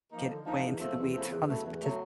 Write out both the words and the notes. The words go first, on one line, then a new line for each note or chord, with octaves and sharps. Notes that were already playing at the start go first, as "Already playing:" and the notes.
get way into the weeds on the spetif
F3 A#3 D#4
D3
F3 A#3 D#4
E2
C#3 F3 A3 C4
E2
C#3 F3 A3 C4
E2
C#3 F#3 A3
E2
C#3 F#3 A3